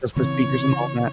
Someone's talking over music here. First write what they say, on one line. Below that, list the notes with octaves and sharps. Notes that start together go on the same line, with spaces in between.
just the speakers and all that.
C#3 E3 C4 C#5